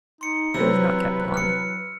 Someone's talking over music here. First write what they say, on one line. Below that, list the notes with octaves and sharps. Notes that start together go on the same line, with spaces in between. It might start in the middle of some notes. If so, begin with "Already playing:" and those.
He was not kept long.
D#4 C6 C#7
C3 E3 F#3 B4 E6
F6 C#7